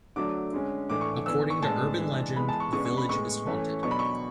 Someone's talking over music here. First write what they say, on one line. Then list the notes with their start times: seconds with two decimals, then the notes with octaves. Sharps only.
According to urban legend, the village is haunted.
0.16 D3 F#3 A3 D4 D6
0.53 D3 G#3 C#4
0.90 A2 E3 A3 D4 D6
1.01 C#6
1.14 D6
1.26 E3 B3 D4 E6
1.50 C#6
1.62 A2 G#3 B3 D4 A5
1.99 E3 G#3 D4
2.36 E3 G#3 B3 B5
2.49 A5
2.60 C#6
2.73 C#3 G#3 B3 D4 C#6
2.85 C#6
2.97 B5
3.09 A2 G#3 B3 C#6
3.47 E3 A3 C#4
3.83 B2 F#3 B3 D4 C#6
3.91 B5
3.99 C#6